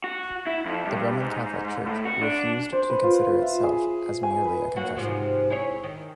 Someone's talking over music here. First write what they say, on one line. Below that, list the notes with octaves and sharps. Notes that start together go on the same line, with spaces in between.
The Roman Catholic Church refused to consider itself as merely a confession.
F#4
E4
F2
G2
G#2
A2
F#4
D4
C5
B4
F4
F4
E5
G#4
G#5
B4
F#3 A#3 F#4
G#2 C3 F3
E4 G#4 C#5
D#3